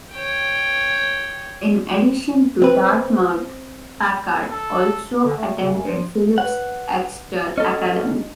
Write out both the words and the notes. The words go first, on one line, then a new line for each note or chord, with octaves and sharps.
In addition to Dartmouth, Packard also attended Phillips Exeter Academy.
C#5 G5
C4 B4
A4
D3
A3
C#3
F#2
F3
B4 C#5 F#5
C#4 D#4 F4 A4 D#5